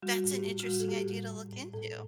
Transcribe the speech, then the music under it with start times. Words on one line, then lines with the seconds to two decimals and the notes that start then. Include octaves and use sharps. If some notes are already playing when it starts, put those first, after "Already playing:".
That's an interesting idea to look into.
0.02 G3 F#4
0.24 A2
0.31 G4
0.45 A2
0.60 F#4
0.66 G3
0.80 A4
0.88 A2 G4
1.10 G3
1.31 A2
1.52 A2
1.73 A2 A4